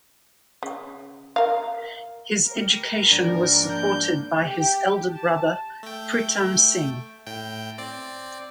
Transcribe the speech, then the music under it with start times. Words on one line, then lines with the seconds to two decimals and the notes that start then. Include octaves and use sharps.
His education was supported by his elder brother Pritam Singh.
0.63 C#3
1.36 A#4 F5
2.46 G3 A#4
3.11 G#2 F3 A#3 D4
3.69 G6
4.46 G4
5.10 A5
5.83 A3 G5
7.26 A2 G5
7.78 C4 D5